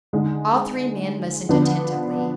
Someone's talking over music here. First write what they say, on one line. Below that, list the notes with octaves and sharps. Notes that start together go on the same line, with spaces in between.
All three men listened attentively.
D3 G#3 D#4
D3 F3 B3 D4